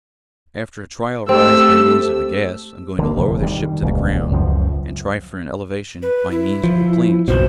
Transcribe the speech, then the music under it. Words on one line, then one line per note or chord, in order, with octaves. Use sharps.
After a trial rise by means of the gas, I'm going to lower the ship to the ground, and try for an elevation by means of the planes.
A3 C4 G4 A4 E6
D3 A#3
F1
D#3 F3 G3
D#1 C#2
C#2 F#2 F3
B4
E4
F3
F#1 B1 B2 C5